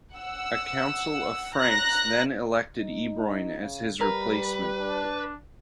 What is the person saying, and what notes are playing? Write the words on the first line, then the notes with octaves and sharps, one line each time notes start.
A council of Franks then elected Ebroin as his replacement.
F#5 E6
A#5 F#6 A#6
D#4
C#3
G3 A#4 B4
D4